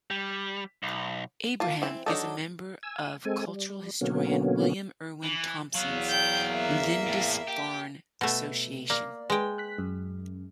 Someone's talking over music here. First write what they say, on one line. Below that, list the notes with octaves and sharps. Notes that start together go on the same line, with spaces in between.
Abraham is a member of cultural historian William Irwin Thompson's Lindisfarne Association.
G3
B1
A#3 F4 A5
E3 C4
F#3 D4 D#4 A4
G#5 E6
G#3 C4 A4 G#5
G3
B2 D3 F#3 A#3 B3 C#4
E3
E2 F#3 B3 F5
G5 G6
A#3 E5
A2
G4
B2 A3
A#3 D5
G#3 B4 G5
F#6 B6
F#2